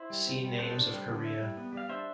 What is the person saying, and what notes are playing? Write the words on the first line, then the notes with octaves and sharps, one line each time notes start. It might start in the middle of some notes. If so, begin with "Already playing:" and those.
See Names of Korea.
Already playing: E4 C5 E5
G3
C4
G3
B3 A4 C5
D4
G3
D3
E4
G3
B3
G3 F5
D4 C5 E5